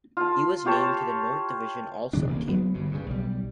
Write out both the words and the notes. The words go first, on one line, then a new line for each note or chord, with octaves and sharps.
He was named to the North Division All-Star team.
F4 A5
F4 G4 C#5 A5
C3 F3 F#3 D4
D#1 D2 A#3
C#3 F#3 B3 D4
G1 G2 C#3
G2 C#3
B1 G3